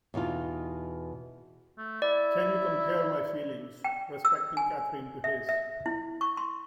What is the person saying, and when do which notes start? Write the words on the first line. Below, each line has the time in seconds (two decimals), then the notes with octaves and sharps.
Can you compare my feelings respecting Catherine to his?
0.14 E2 B2 D#4 F4
1.77 A3
2.02 E4 D5
3.84 G5
4.25 E6
4.57 G#5
5.24 E5
5.49 E5
5.86 E4
6.21 C#6
6.37 C6